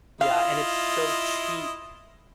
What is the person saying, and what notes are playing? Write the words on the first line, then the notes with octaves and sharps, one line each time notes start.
Yeah, and it's so cheap.
E4 F4 D#5 F5